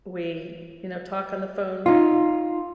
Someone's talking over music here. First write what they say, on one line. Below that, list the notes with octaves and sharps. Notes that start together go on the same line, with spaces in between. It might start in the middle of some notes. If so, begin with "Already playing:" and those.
We, you know, talk on the phone,
D#4 F4